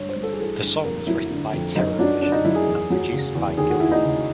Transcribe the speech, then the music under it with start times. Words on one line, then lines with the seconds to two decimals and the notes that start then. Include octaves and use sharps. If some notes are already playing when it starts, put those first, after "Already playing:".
The song was written by Terrorvision and produced by Gil Norton.
Already playing: G2 C#5
0.09 C5
0.16 G3
0.23 A4
0.33 G#4
0.40 E3 A4
0.62 G2
0.85 F2 A#4
1.07 F#3 E4
1.30 D3
1.53 F2
1.75 F#2 D#4
1.99 F#3 D4
2.21 D3 D4
2.32 D#4
2.44 F#2 E4
2.55 G#4
2.66 E2
2.90 F#3
3.13 C#3
3.35 E2
3.57 D#2 G#4
3.70 F#4
3.80 E3 E4
3.92 D#4
4.04 C#3